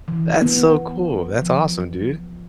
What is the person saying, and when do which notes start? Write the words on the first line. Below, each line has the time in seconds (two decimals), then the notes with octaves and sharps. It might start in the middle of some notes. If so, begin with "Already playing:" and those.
That's so cool. That's awesome, dude.
0.08 E3
0.42 B3
1.42 F3